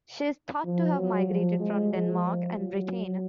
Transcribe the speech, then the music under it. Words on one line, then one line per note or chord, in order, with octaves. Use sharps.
She is thought to have migrated from Denmark and Britain.
F3
F#3
F3
G#3
F3
F#3